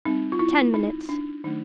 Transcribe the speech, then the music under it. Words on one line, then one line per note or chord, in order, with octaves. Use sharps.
Ten minutes.
G3 C4 D#4
F4
E4
D#4
D4
D#3 F#3 A3 D4 D#4